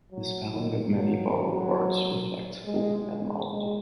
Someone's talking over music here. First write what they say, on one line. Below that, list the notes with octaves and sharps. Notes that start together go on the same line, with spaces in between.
The spelling of many borrowed words reflects folk etymology.
F#3
D#3
F#3
F#3
G#3
G#3
G#3